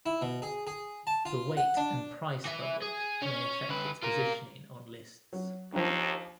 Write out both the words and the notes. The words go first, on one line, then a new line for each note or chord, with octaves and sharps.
The weight and price of a book may affect its positioning on lists.
E4
B2
G#4
G#4
A5
F4
F#5
D4
E3 E5
G#4
C#4 C#5
D3 B4
F4 A#4
F#3
D#2 F3 D4